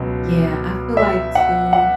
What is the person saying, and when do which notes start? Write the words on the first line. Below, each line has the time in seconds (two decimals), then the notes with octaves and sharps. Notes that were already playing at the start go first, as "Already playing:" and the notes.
Yeah, I feel like too,
Already playing: C#2 B2 F#3
0.97 E5
1.35 F#5
1.73 F#5